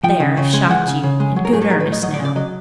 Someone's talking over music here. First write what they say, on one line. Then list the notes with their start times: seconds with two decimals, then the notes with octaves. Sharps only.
There, I've shocked you in good earnest now.
0.03 F3 G5
0.20 C#3
0.37 C#3
0.53 G#3
0.70 E3 F#5
0.87 C#3
1.04 C#3
1.20 G#3
1.36 F#3
1.45 A#4
1.52 A2 G#4
1.61 A4
1.70 F#3 A#4
1.80 B4
1.86 A2
1.92 D#5
2.02 F#3 D#5
2.14 D5
2.19 C#3
2.25 D5
2.36 F#3 D#5